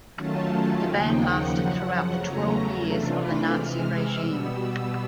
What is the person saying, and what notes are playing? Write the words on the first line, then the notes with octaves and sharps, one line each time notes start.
The ban lasted throughout the twelve years of the Nazi regime.
D#3 F#3 A3 C#4 F4 A5
D#2 C#3 F3 A#3 D#4 G5
F#5
F#2 C#3 F3
E2 C#3 F#3 A3 C#4 A#5
C3 E3 A3 D4 F4
B5
C3 E3 G#3 F6
E6
B2 G3 B3